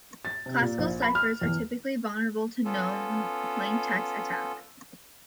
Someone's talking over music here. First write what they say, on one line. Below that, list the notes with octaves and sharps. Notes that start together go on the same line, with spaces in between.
Classical ciphers are typically vulnerable to known-plaintext attack.
A6
C3
A#2
A#1
B5
F6
E2
B3 C#4 F4 A4